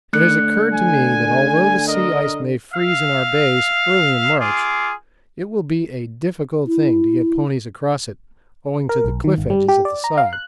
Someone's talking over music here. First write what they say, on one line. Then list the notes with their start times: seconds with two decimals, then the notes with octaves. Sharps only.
It has occurred to me that although the sea ice may freeze in our bays early in March it will be a difficult thing to get ponies across it owing to the cliff edges at the side.
0.13 D3 A3 F#6 C#7
0.73 G#5
1.87 A#4 D#5
2.72 E5 F5
4.39 F4 G#4 D6
6.67 E4
8.89 A#4
9.04 B1
9.24 D#3
9.38 G1
9.50 G3
9.68 G4
9.85 D5
10.04 A#5
10.17 F5
10.33 F#6